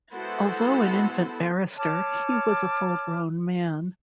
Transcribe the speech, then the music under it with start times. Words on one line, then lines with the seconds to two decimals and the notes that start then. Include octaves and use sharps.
Although an infant barrister, he was a full-grown man.
0.13 G#3 B3 E4 F#4 A4 C5
1.78 C#5 A5 D6 F6